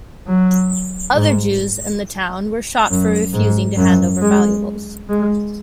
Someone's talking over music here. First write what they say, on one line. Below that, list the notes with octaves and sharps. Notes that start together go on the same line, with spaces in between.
Other Jews in the town were shot for refusing to hand over valuables.
F#3
G#2
F#2
G#2
F#2
G#3
G#3